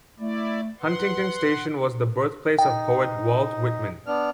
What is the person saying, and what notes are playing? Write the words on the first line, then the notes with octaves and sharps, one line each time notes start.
Huntington Station was the birthplace of poet Walt Whitman.
A3 E4 D5
B4 F#5 C6
D#4 G5
B3 D4 F6